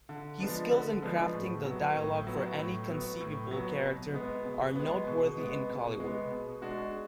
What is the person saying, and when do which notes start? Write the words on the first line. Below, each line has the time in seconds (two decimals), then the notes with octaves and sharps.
His skills in crafting the dialogue for any conceivable character are noteworthy in Kollywood.
0.09 D3
0.40 F3 G#3 B3 D4
0.71 D3
1.02 F3 G#3 B3 D4
1.33 A2
1.65 F#3 B3
1.96 A2
2.27 F#3 B3
2.58 A2
2.89 F#3 B3
3.21 A2
3.51 F#3 B3
3.82 B2
4.14 G#3 B3
4.45 B2
4.75 G#3 B3
5.07 B2
5.38 G#3 B3
5.69 B2
6.00 G#3 B3
6.31 B2
6.62 G#3 D4 F#4